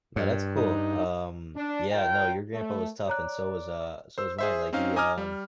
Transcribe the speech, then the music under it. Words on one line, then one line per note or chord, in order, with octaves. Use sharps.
No, that's cool, um, yeah no, your grandpa was tough and so was, uh so was mine, like, he, um
G2
D#4
D4
F4 A#4 C#5 G5
A3
C#5 D5 A#5 F#6
C5 E6
G#4 C5 E5
C4 C#4 D#4 F5
D#5 G#5 A#5 D6 D#6 F6
G3